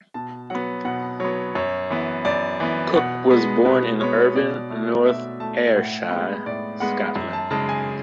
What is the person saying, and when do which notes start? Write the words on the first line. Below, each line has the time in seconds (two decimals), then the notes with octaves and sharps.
Cook was born in Irvine, North Ayrshire, Scotland.
0.14 B2 A5
0.50 F#3 B3 F#5
0.85 B2 F#5
1.20 F#3 B3 C#5
1.55 F#2 C#5
1.90 E3 B3
2.25 F#2 D5
2.60 E3 B3
2.95 B2 F#5
3.31 G#3 B3
3.65 B2 B4
4.00 G#3 B3 C#5
4.35 B2 D5
4.70 A3
5.05 B2 E5
5.40 A3 A5
5.76 A2 F#5
6.11 G#3 B3
6.46 A2 D5
6.80 G#3 B3 F#5
7.16 F#2
7.33 A5
7.51 C#3 G#3 A5
7.69 G#5